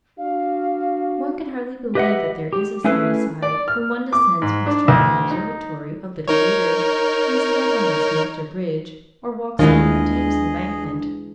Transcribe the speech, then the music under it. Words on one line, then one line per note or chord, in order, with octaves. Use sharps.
One can hardly believe that there is a seamy side when one descends from his travelling observatory a little later, and stands on Westminster Bridge, or walks along the Thames Embankment.
D4 F#4 F5
G4 B4 D#5 E5 F#5
G4
A3 C#4 E4 G#4 A4 B4
D5
F6
D6
G#2
D4
D2
D#4
D#4 A#4 C#5
D#2 E3 G#3 D4 F4 G#4 D#5